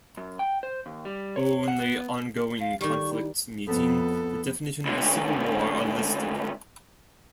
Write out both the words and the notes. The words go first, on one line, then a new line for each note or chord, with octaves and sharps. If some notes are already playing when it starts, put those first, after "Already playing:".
Only ongoing conflicts meeting the definition of a civil war are listed.
F#2
G5
C5
D#2
G3
C#5
F#5
B3
F5
D#3 G3 C#6
E4
F2 B3 A4
C#2 D3